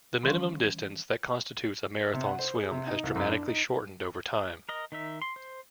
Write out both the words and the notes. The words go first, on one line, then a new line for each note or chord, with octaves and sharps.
The minimum distance that constitutes a marathon swim has dramatically shortened over time.
D#3 E3 G3 C#4 F5 C#6
C3
F#5
C5
G#4
C3
D#4
C2
F#2
D4
D#4
A#4 D#5
D#3 D#4 E5
C6
C5